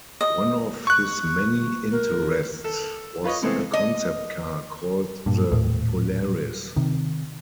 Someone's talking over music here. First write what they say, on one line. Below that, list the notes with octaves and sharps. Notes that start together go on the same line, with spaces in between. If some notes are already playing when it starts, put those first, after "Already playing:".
One of his many interests was a concept car called the Polaris.
D#5
C#6 F#6
A#4
A4
F4 B4 C#5 D#5
C3 E3 G#3 A3 B3 C4
D#5
G2 A#2
D#1 A2
C3 D#3